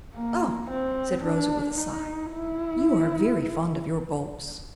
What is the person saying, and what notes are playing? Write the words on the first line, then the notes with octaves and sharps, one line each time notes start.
"Oh!" said Rosa, with a sigh, "you are very fond of your bulbs."
A#3
C4
D4
D#4
E4